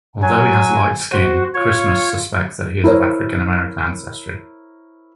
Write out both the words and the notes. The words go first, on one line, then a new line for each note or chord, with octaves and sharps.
Although he has light skin, Christmas suspects that he is of African American ancestry.
F#3 G#5
F#4 C5
F4 C#5
E4 A#4 C5 C#5